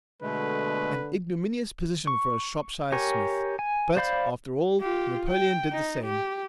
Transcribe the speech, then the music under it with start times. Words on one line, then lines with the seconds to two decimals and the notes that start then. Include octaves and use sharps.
An ignominious position for a Shropshire Psmith, but, after all, Napoleon did the same.'
0.22 B2 D3 G#3 A3 B4
2.07 C#6
2.92 G4 A#4 C#5 G#5
3.59 G#5
3.97 C5 D5 F5 B5 G6
4.80 F4 G4
5.28 G5
5.72 D#4
6.04 G4